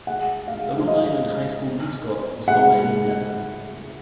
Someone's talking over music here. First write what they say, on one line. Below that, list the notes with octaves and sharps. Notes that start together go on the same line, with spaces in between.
The Long Island High School mascot was Long Island Leopards.
F#5
F5
F5
D#5
F#5